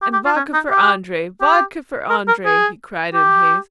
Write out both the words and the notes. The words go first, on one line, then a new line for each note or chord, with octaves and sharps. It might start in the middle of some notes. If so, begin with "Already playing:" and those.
"And vodka for Andrey, vodka for Andrey!" he cried in haste.
G4
G4
F4
C#4
D#4
G4
G4
A#4
A#4
G#4
G4